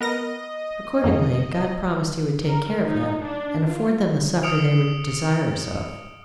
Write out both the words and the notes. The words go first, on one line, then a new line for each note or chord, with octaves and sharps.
Accordingly God promised he would take care of them, and afford them the succor they were desirous of.
B3 A#4 D#5 A#6
F2 G#2 D#3
A#4
D#4
D4
F4
D#6 F6 C#7 D7 F7